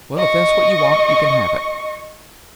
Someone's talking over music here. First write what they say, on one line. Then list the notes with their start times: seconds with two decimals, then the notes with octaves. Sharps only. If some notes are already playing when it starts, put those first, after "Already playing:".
Well, if that's what you want, you can have it.
0.17 D#5 C#6